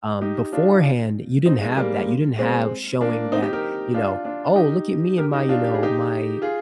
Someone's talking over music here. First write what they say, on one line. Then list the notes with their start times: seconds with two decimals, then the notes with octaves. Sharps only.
um, beforehand, you didn't have that. You didn't have showing that, you know, "Oh, look at me and my," you know, "my
0.21 D#4 G4
0.52 D4 F4
1.45 C4 D#4
1.61 G#3
1.77 G3 A#3
2.38 G#3 C4
3.01 A#3 D4
3.32 C4 D#4
3.42 D#4 G4
3.53 G4 A#4
3.94 D4 F4
4.25 D4 F4
4.56 D#4 G4
5.18 G4 A#4
5.33 D#4 G4
5.49 D4 F4
5.64 G4
5.74 G#4
5.83 D#4 G4
6.42 F4 G#4